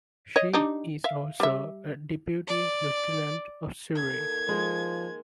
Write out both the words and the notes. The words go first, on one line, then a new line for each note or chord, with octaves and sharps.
She is also a Deputy Lieutenant of Surrey.
C#5 D#5
D4 D#4 G4
E5 F5
G3 E5
D5
D#3 A#3 A4 G#6
F3 G#3